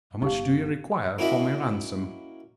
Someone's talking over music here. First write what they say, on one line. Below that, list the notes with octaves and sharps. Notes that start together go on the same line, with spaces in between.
"How much do you require for my ransom?"
G1 D#4 G4 F5
A#3 C#4 E4 F#4 D#5 E5